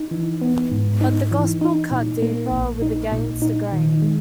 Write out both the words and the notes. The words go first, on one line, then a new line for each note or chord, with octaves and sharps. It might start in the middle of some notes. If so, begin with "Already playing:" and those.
But the gospel cut deeper with "Against the Grain".
Already playing: D#4
E3
B3
G#2
D#4
E3
D#4
A#2
A#3
A#1
D#4
A#2
D#4
D#3
G#3